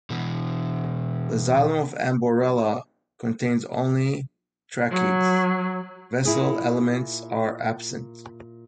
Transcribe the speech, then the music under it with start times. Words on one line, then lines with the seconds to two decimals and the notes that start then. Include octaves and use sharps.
The xylem of "Amborella" contains only tracheids; vessel elements are absent.
0.10 B2 E3
4.91 F#3
6.25 A#2 E4 G#4